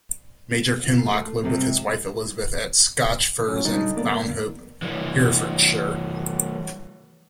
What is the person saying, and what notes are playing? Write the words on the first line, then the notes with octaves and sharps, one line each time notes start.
Major Kinloch lived with his wife Elizabeth at Scotch Firs in Fownhope, Herefordshire.
F4
A3 F4
C3 G3 G#3 C4
F#3 C#4 F4
B2 D3 G3 D#4 A4 A6
B1 A#3 B3 D5
E3 G3